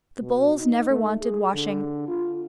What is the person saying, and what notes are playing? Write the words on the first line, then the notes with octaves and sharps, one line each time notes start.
The bowls never wanted washing.
B2
D#4
A3
G#4
D3
F4